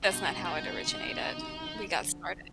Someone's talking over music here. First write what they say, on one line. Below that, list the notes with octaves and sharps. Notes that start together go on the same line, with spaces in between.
That's not how it originated. We got started.
F4
G2 B2 D#4
G2 B2
F4
D#4
G2 B2
C3 D#3
B2 D3
C3 D#3
D3 F3
D3 F3